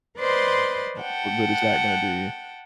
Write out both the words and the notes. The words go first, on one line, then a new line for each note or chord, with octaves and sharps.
ah, what good is that gonna do you?
B4 C5 D5 D#5 C6
F#5 G5 A5